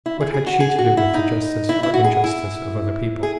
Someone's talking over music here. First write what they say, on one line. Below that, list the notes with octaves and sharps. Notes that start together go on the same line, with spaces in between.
What had she to do with the justice or injustice of other people?
E4
G#4
G#4
F#4
G#4
F#4
E4
D#4
E4
E4
F#4
G#4
E4
G#4